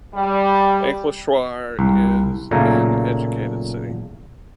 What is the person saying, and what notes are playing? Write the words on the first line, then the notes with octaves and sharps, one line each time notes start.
Ankleshwar is an educated city.
G3
C2
B1 A#2 C#3 A3 A#4 F5